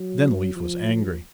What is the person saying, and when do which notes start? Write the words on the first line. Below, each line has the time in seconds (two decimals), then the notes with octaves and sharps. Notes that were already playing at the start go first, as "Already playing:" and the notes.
Then Leif was angry.
Already playing: F#3
0.56 F3
0.89 F3